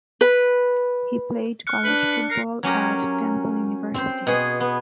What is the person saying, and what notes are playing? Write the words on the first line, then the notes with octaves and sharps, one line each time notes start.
He played college football at Temple University.
B4
F6 F#6 C#7
D4 B4
C#7
A#4 C7 C#7
F#3 C#4 G4 A#4
C4 C5
B2 G#4
B3